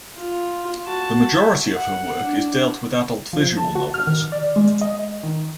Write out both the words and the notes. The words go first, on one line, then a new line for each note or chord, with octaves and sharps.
The majority of her work is dealt with adult visual novels.
F4
F#4 A5
E5
F#5
D4
F3
A5
F#4
F6
D#3
D5
G#3
D#5
D#3